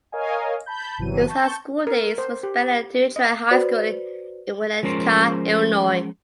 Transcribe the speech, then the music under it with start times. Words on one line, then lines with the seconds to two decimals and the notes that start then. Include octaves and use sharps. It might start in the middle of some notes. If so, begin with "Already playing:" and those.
His high school days were spent at New Trier High School in Winnetka, Illinois.
0.12 A#4 C#5 D#5 F5 G#5
0.66 A5 B5 G6
0.98 G1 C3 E3 F#3 D#7
1.27 A5 C#6 G6
1.87 A#4
2.18 C5
2.43 G4
3.16 D#5
3.51 F#4 B4 C5 D5
4.83 F3 G#3 C#4 A#4 C5